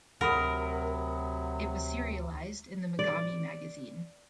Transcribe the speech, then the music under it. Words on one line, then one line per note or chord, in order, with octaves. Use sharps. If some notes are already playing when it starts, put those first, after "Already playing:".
It was serialized in the Megami Magazine.
D2 C3 F#3 A#4 F#5 B5 D#6
D5